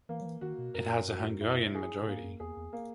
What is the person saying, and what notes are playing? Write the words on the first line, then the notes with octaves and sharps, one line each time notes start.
It has a Hungarian majority.
E3 A#3
F#3
E3
D#3 F#4
B2
F#2 A#4
F#4
E4
G#4
A#2
G#2 A#3
F#2
E2 G#4
E2
A#3